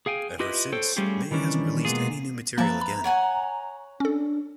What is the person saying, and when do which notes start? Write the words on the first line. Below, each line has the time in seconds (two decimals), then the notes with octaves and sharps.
Ever since, Mey hasn't released any new material again.
0.06 G#4 F5 G5 G#5
0.39 E4 F4 G4 B4 D#5
0.72 A4 C5 C#5 G5
0.96 G3 A3 C#4 F4 G4 G#4
1.31 D#3 E3 G3 C#4 D4
1.85 B2 G#3 A#3 B3 F4 G#4
2.58 F3 A#3 B4 E5 A5 A#5
2.81 B5
3.04 C#5 F#5 G#5
4.00 C#4 D4 A4